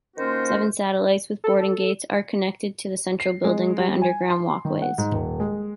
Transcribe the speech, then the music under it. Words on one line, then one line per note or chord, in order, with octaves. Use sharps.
Seven satellites with boarding gates are connected to the central building by underground walkways.
D#3 A#3 C#4 F4 F#4 C5
A4
C7
G#3
G3
G#5
C6
D#3
F#5
G#2
D#1
G#3